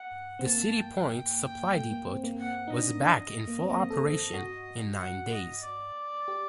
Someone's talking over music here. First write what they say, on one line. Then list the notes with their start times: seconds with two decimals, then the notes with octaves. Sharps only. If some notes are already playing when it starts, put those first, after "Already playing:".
The City Point supply depot was back in full operation in nine days.
Already playing: F#5
0.39 C4
0.46 A#3 A5
0.78 G5
1.75 A3
1.91 A#3
2.07 C4
2.24 A#3
2.40 F#5
2.68 D#4
2.72 D4 D#5
3.05 D4
3.47 A#3
3.59 C4
3.68 A#3 D#5
3.90 A4
4.33 F#4
4.98 F#5
5.31 D#5
5.63 D5
6.28 G4